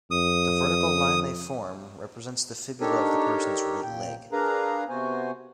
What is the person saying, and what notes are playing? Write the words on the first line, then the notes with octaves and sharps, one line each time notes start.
The vertical line they form represents the fibula of the person's right leg.
F2 D#6
D4 D#4 G4 A4 A#4 C#5
A#2 G5
D4 G#4 A#4 B4 F5 A#5
C3 B3 F#4 C5 G#5